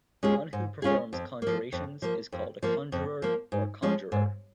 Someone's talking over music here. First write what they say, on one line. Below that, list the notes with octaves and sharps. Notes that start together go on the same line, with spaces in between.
One who performs conjurations is called a conjurer or conjuror.
G#3 C#4 F4 G#4
G#2
G#3 C#4 F4 G#4
F2
F3 A#3
F2
F3 A#3
F2
F3 A#3
F2
F3 A#3
G#2
F3 G#3 C#4
G#2